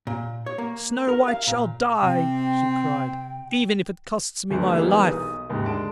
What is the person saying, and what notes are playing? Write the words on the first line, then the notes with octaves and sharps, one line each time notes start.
"Snow-white shall die," she cried, "even if it costs me my life!"
A#2
C#5
A#3
A#4
F5
A#2
C3 C4 G5
G1 D2 G2
E3 G3 A#3 B3 D#4 G#4
B1 D#6
F#1 D#2 G#2
D3 G#3 A5 D7